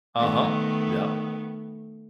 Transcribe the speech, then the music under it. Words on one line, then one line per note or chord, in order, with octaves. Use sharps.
Uh-huh, yep.
D#3 A3 B3